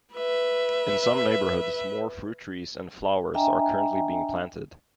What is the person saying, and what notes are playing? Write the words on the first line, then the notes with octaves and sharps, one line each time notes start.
In some neighbourhoods more fruit trees and flowers are currently being planted.
B4 E5
D4 D#5 E5 G5 G#5 A#5